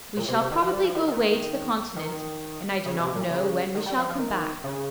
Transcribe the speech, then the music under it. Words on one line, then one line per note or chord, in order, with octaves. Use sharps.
We shall probably go away to the Continent, and I do not know when we shall come back.
A#2
C3
C3
D#3
F3
G3
F3
D#3
D#3
D#3
C#3
C3
A#2
C#3
D#3
G3
F3
F3
D#3
C#3